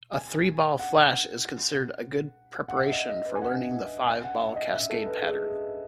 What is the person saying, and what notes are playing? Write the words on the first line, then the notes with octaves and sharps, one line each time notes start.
A three-ball flash is considered a good preparation for learning the five-ball cascade pattern.
G#5
F#5
F#5
E5
D#5
D#5
B4
G#5
F#5
G#5
F#5
E5
D#5
E5
A4
B4
G#4